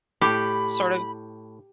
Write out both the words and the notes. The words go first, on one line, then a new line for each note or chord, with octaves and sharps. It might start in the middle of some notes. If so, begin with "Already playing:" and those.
sort of
A2 G4 B5